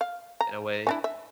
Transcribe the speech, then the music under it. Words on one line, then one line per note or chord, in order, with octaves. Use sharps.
in a way.
F5
A#5
C#4 D4 E4
E5